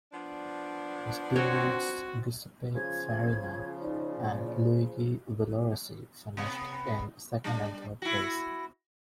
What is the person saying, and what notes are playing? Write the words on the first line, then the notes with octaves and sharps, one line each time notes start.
His teammates Giuseppe Farina and Luigi Villoresi finished in second and third places.
F3 B3 D4
C4 F#4 C#5
C#3 F3 F4 G#6
D#4 D5
A#2
C3 B3
G3 D4
E4 F#4